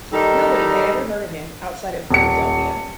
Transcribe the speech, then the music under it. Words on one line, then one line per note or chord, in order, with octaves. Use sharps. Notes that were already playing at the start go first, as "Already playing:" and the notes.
Nobody had ever heard of him outside of Philadelphia.
D#3 G3 D#4 A4
D#1 C#7